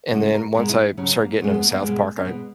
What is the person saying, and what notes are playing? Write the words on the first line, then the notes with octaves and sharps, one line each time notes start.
and then once I started getting into South Park, I
C#3 G#3 F#4
A#4
B2 G#3 A#4
E4
C#3 F#3 C#4
A#3
B2 G#3 C#4
B3
A#3
B3
B2 G#3 A#3
C#4
B2 G#3 B3